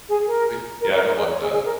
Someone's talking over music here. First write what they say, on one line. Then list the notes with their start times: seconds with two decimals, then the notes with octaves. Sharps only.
Ugh, yeah, I don't want that.
0.09 G#4
0.27 A#4
0.81 A#4
0.94 A#4
1.06 A#4
1.17 G#4
1.30 C#5
1.41 G#4
1.53 G#4
1.65 A#4